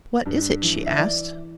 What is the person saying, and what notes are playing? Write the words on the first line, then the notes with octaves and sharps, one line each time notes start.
"What is it?" she asked.
G2
E3
E5
E3 D5